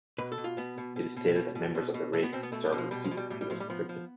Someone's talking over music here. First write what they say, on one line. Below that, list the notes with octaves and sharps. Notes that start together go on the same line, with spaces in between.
It is stated that members of the race served as supercomputers on Krypton.
B2 B4
A4
B2
F4
B2 B3
B2
B2
B2
B2
B2
B2
B2
B2 A3
B3
B2 C4
B3
B2 A3
G3
B2
F3
B2 G3
F3
B2
G3
A2 G3
G3
A2 F3
G3
F3 B3
F3